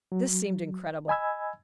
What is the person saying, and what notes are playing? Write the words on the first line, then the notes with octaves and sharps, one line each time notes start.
This seemed incredible.
F#3
D#5 G#5 B5 E6 G#6